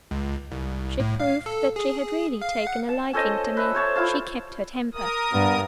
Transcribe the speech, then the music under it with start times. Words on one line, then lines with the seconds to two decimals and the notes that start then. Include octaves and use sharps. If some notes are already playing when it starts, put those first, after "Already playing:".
She proved that she had really taken a liking to me: she kept her temper.
0.11 C#2
0.51 C2
1.00 A2
1.20 F5
1.46 A4
1.76 G#4
2.42 F5
2.67 F#5
2.89 A5
3.13 C#4 A4 C5 D#5
3.57 B4 E5
3.74 C5 C#5 A5
3.96 E4 F4 F5 A5
4.94 A#4 D#6
5.33 G2 B3